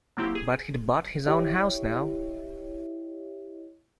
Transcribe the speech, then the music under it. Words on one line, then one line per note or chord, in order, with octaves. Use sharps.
But he'd bought his own house now.
F#3 A#3 C4 E4 G4
G#4
E4 G4 C#5 D#5 E5